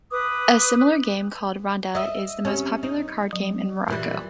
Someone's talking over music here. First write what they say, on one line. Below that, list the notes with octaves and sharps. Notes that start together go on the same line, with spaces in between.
A similar game called Ronda is the most popular card game in Morocco.
B4 D6 D#6
D#5 E5
C4 C#4 G4
D#4
F#3
A#2 E3 G3